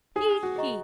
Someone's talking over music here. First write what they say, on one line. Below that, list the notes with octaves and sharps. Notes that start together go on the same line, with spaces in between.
He! he!
D#4 G#4
F#4
G#4 D#5 A#5 C#6